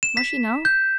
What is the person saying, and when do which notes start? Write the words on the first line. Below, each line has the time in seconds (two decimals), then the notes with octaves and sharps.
"Must she know?"
0.03 E7
0.17 B6
0.65 G6